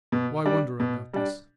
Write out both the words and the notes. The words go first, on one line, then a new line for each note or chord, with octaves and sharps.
Why wonder about this?
B2
G3 D4
B2
G3 D4